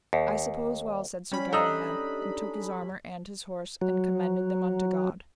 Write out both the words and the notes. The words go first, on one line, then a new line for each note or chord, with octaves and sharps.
I suppose well, said Sir Galahad, and took his armour and his horse, and commended them unto God.
D#2
G3 C#4 B5
D4 D#4 A4 A#5 D#6 E6
F#3